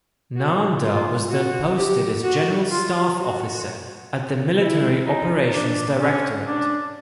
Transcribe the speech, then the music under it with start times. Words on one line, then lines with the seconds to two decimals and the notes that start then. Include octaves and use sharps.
Nanda was then posted as General Staff Officer at the Military Operations Directorate.
0.36 F#4
0.83 F4
1.30 F#4
1.77 G4
2.23 F#4
2.71 F4
3.18 F#4
4.59 E4
5.06 D#4
5.53 D4
6.00 C#4
6.47 D4